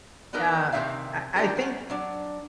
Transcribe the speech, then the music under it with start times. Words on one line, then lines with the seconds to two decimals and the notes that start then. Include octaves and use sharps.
Um, I I think
0.33 B3 D4 D#4 A#4 B4
0.72 C3 D#3 C4 D#4 E5 F5
1.36 D4 D#4 F4 G4 A4 A#4
1.57 B3 C#4
1.90 F#3 D4